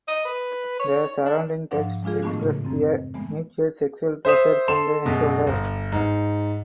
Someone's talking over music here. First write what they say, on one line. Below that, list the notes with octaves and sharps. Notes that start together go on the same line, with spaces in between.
The surrounding text express their mutual sexual pleasure from the encounter.
D#5
B4
C#5
D4
G#2 F3 D4 F#5
F3 G#3 D4 F4 G#4
A2 D#3 A3 B3 D4 F#4
A2 C#3
F#2 C4
E3 G#3 A3 B3
C5 E5 D#6 E7
A4 C6 E7
F#2 B2 G#3
G1
G#2